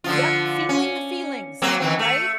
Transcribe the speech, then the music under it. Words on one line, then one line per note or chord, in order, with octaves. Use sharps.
Yep, feeling the feelings, right?
D3 F3 F4
C#4
F#3 A#3 C4
D#3 E3 C4
A3